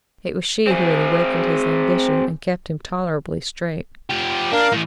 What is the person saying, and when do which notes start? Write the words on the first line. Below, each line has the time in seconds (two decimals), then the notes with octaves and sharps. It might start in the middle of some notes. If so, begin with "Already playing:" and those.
It was she who had awakened his ambition and kept him tolerably straight.
0.67 C4 G#4
4.10 F3 G4
4.53 D4 A#4 F5
4.73 A2 E3